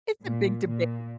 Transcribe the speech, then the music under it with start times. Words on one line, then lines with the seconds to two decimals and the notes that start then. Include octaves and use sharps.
It's a big debate.
0.24 A#2
0.66 A#2